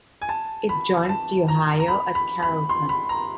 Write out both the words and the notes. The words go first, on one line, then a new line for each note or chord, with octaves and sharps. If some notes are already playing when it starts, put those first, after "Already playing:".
It joins the Ohio at Carrollton.
G#5
A5
B5
A5
A#5
A#5
B5
B5
B5
C6
B5
A#5